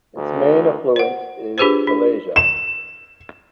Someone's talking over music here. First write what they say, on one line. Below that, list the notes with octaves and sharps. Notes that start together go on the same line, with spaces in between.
Its main affluent is Malaysia.
D2
C5 F#5
D4 F4 G4 G#4 B4 C5
D4
E7